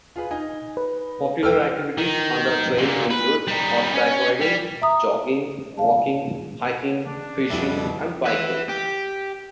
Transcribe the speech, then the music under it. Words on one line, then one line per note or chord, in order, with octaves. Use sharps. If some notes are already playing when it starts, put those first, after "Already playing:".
Popular activities on the trail include horseback riding, jogging, walking, hiking, fishing and biking.
F4 G#4 B4
D#4 G#5
B4
A4 G5 E6 F6
D#3
A#2 D3
B4
G3 D#4
C#4
G3
E5 A#5 D#6
F5 A5
D4
A#1 F2 B2 G3 E4 E5
B4 E5
G4